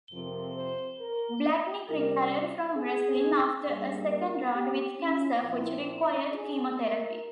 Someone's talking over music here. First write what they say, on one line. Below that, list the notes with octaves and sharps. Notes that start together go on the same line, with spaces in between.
Blatnick retired from wrestling after a second round with cancer, which required chemotherapy.
F2 C3 F3 C4 A#4
C5
A#4
C3 G3 C#4 A#4
G#4
G2 G3 A#3 G#4
A#4
G4
C#4
A#2 F3 C4 E4
E4
G#4
A#4